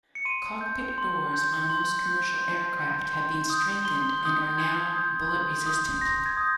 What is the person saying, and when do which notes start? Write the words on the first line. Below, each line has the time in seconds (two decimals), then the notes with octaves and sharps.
Cockpit doors on most commercial aircraft have been strengthened and are now bullet resistant.
0.15 C#7
0.25 C6 D#7
0.61 G6
0.98 C6
1.33 G6
1.70 C6
2.06 G6
2.41 C6
2.77 G6
3.13 C6
3.50 D#6 G6
3.85 C6 G7
4.22 D#6 G6
4.57 C6 G#6
4.93 D#6 G6
5.29 C6
5.66 D#6 G6
6.01 C6 A#6
6.26 G#6
6.37 D#6 G6